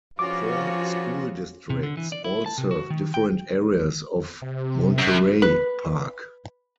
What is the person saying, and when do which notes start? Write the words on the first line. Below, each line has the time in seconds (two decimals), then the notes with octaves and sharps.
Four school districts all serve different areas of Monterey Park.
0.19 G2 C#3 F3 C#4 F4 F#4 D6
1.70 C3
1.83 D3
1.97 E3
2.12 D5
2.24 E4
2.46 A5
2.58 C3
2.71 F#4
2.90 D#3
3.14 G5
4.42 C3
4.98 F#2
5.42 B4